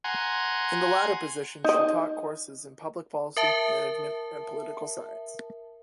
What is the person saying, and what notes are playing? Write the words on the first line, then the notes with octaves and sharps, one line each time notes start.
In the latter position she taught courses in public policy, management, and political science.
F#5 G#5 A#5 C6
D#4 D#5
A#4 E5 A5